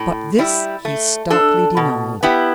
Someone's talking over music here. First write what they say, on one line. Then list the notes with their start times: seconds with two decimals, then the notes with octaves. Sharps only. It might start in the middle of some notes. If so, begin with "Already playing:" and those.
But this he stoutly denied.
Already playing: A2
0.39 G3 E4
0.85 A3
1.30 D4 A4
1.77 B2
2.23 B3 E4 G4